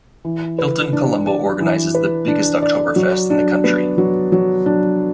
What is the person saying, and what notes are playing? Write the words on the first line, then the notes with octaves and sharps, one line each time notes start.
Hilton Colombo organises the biggest Oktoberfest in the country.
E3
B4
D4
D5
E3
B4
D4
D5
F#3
D4
B3
F#3
F#3
D4